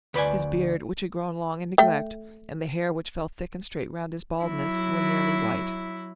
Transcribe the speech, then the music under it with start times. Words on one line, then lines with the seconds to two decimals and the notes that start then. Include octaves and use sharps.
His beard, which had grown long in neglect, and the hair which fell thick and straight round his baldness, were nearly white.
0.14 D2 B4 D5 G#5
1.78 A3 G5
4.43 F#3 E4